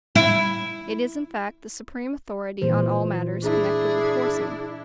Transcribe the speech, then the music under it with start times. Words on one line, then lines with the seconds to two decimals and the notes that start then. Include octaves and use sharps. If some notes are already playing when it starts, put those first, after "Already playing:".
It is in fact, the supreme authority on all matters connected with coursing.
0.15 E4
2.62 A#2 E3 C5
3.43 D4 E4 G#4